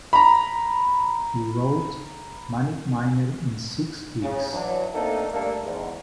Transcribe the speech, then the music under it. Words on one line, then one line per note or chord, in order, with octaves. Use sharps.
He wrote "Manic Miner" in six weeks.
A#5 B5
C#3
E3 F#3 D4
A3 A#3 C4 D4 D#4 A4
G3 A3 A#3 D4 A4
E2 G#2